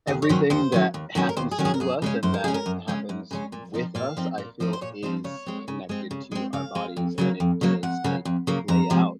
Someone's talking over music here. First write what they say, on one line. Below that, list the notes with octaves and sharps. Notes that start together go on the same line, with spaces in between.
everything that happens to us and that happens with us, I feel is connected to our bodies and it does, like, play out
D#2 G#4
C#5
D#3 F#3 C#4 C5
D#2 C5
D#3 F#3 C#4
D#2
D#3 F#3 C#4
A#4
D#2 C5
G#4
D#3 F#3 C#4
G#4
A#4
F#2 G#4
C#3 G#3 C#4
F#2 C5
A#4
C#3 G#3 C#4 G#4
A#4
F#2
C#3 G#3 C#4
F#2
C#3 G#3 C#4
A#2
F3 C4 D#4
A#2 F5
F3 C4 D#4
A#2
F3 C4 D#4
C5
A#2 C#5
F3 C4 D#4 C5
C#3 C#5
G#3 C4
C#3
G#3 C4
C#3
G#3 C4
C#3 F5
G#3 C4
F2
C#3 F#3 A#3
F2
C#3 F#3 A#3
F2 F#5
C#3 F#3 A#3
F2
C#3 F#3 A#3
F2 A#5
C3 F3 G#3